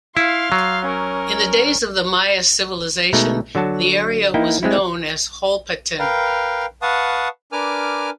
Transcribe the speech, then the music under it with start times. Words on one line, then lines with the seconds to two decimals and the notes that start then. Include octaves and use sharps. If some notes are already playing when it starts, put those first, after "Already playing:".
In the days of the Maya civilization, the area was known as Holpatin.
0.17 E4 F5 C6
0.52 F#3
0.86 C#4 A#4
3.13 B2 G#3 A3 D#4
3.55 D3 F#3 F#4 A5
4.34 A#3 D#4 E4 G5
4.63 G#3 C4 E4
5.99 A#4 B4 F5 G5
6.82 B4 F5 F#5 A5 C#6 D#6
7.52 D4 A#4 B4 G#5 D6 F6